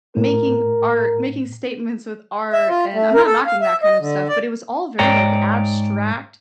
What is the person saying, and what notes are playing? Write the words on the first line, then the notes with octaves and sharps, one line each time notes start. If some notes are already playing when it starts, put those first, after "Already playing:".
making art making statements with art, and I'm not knocking that kind of stuff, but it was all very like abstract,
A2 A#4
E5
F4
A3
A#4
A4
F5
E5
D#5
D3
D5
G#2 C#5 D5 G5 A#5